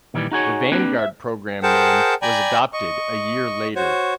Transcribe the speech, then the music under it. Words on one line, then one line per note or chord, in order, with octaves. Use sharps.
The Vanguard Program name was adopted a year later.
A#2 D#3 E3 G3
D#4 F#4 G#4 C#5
A#3 C4 D4 G4 B4
E5
G#4 A#4 C5 F#5 G5 A5
D5 G5 G#5 A#5 B5
D#5 C#6
F#4 C5 C#5